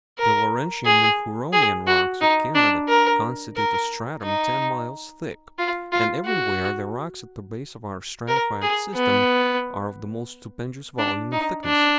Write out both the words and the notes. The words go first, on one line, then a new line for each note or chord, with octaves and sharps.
The Laurentian and Huronian rocks of Canada constitute a stratum ten miles thick; and everywhere the rocks at the base of our stratified system are of the most stupendous volume and thickness.
A#4
G#4
G#4
F#4
D#4
D4
A#4
A#4
D#4
F4
F4
F#4
A#4
G#4
B3
D4
D#4
D4